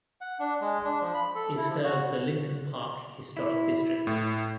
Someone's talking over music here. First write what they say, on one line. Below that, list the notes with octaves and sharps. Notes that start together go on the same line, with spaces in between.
It serves the Lincoln Park Historic District.
F#5
D4
G#3
D4
F3
B5
A4
E4
F3
F#4
E4
A2